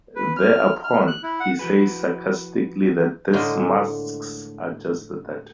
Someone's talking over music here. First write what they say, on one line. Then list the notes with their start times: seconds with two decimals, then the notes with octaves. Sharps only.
Thereupon, he says sarcastically that these masks are just that.
0.16 B4
0.37 F6
0.84 F6
1.07 F#6
1.23 E4
1.40 F#5
1.59 F3 E4 F#4 G#4 B4
3.33 A2 D3 G#3 A#3 C5 D#5